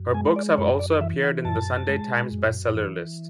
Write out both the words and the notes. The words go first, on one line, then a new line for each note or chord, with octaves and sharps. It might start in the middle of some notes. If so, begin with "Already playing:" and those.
Her books have also appeared in the "Sunday Times" best-seller list.
Already playing: F#2
G#3 G#5
D5
F#2 C#5
D5
E3 E5
F#5
F#2 A5
G#3
F#2
E3